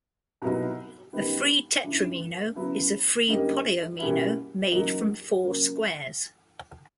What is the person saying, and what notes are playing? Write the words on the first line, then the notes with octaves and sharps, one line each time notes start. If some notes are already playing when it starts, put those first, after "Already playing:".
A free tetromino is a free polyomino made from four squares.
C2 B2 F#3 B3 D#4
F#2 D#3 G3 B3 D#4
C#3 E3 A3 D4
C#3 F#3 B3 E4
F#2 D3 G3 A#3 D#4
B2 G3 A#3 C#4 E4
E2 C#3 F#3 A#3 D#4
C#3 F#3 A#3